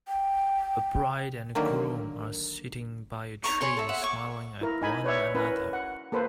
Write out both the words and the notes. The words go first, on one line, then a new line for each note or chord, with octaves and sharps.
A bride and a groom are sitting by a tree smiling at one another.
G5
D3 D#3 F#3 A#3
D#4 C#5 A#5 C#6
G#4 C#5 C6
A4 E5
E5 F#5
C#5 C#6 D6
E4 A#4
D#4 G#5 B5
B4 C#5 D5 E5
C#4 E4 A#4 B4
F#5
A#3 A4 B4 C5